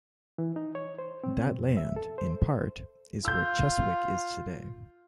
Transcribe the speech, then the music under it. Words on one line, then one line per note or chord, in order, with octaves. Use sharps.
That land, in part, is where Cheswick is today.
E3
D#4
C#5
C5
C4
B2
F2
E5
A4
C5
F4 E6 G6